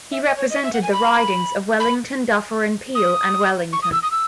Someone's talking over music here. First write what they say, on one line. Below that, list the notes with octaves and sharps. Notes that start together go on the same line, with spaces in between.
He represented the ridings of Wellington-Dufferin-Peel and Wellington.
E5
D#5
C#5
D#5
E5
F#5
G#5
B5
B5
D#6
C#6
D#6
E6
D#6
E6